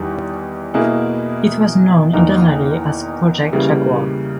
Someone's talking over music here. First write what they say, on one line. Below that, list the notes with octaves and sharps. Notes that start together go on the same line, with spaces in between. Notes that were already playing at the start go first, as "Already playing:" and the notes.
It was known internally as project "Jaguar".
Already playing: E2 D#3 G3
B2 A#3 E4 G#4
E2 D#3 A#3 D#4 A#4
C#3 E3 G3 A#3